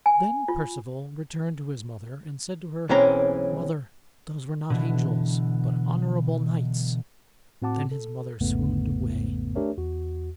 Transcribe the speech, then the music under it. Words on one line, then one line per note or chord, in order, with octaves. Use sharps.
Then Perceval returned to his mother, and said to her, "Mother, those were not angels, but honorable knights." Then his mother swooned away.
G#5
F4
B1 E3 G#3 C4 C#4 A#5
B2 D3 E3
A2 C4 F#4 F#5 A5 D6
A4
A1 E2 G#2 C#3 A3 B3
A3 D4 G4 A#4 C#5 E5
E2 F#4